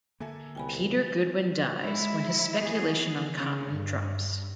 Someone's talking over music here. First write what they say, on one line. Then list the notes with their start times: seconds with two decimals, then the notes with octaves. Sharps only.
Peter Goodwin dies when his speculation on cotton drops.
0.20 D3 A#3 A4 E5 G#5
0.55 C2 B2 B3 G5 G#5 B5
1.83 G#3 E4
2.62 E3 B3 G#4
3.36 C#3
3.73 G2